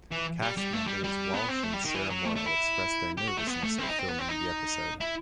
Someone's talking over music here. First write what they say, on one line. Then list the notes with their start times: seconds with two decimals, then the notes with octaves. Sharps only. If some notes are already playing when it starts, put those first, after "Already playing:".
Cast members Walsh and Sarah Moyle expressed their nervousness at filming the episode.
0.11 E3
0.42 G3
0.57 G3
0.73 A3
0.87 G3
1.04 G3
1.34 B3
1.49 C4
1.64 A3
1.74 G3
1.85 D#3
1.95 E3
2.10 F#3
2.25 A3
2.36 A3
2.46 E4
3.18 G4
3.28 F#4
3.37 A3
3.47 B3
3.63 A3
3.78 C4
3.83 E4
3.88 D#4
3.99 C4
4.09 B3
4.19 C4
4.28 D#4
5.00 E4